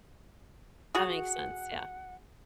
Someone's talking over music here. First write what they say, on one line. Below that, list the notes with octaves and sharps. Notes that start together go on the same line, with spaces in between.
That makes sense, yeah.
F#4 G#4 F#5